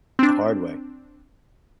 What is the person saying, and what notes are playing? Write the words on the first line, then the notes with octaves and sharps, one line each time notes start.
The hard way
C4 D4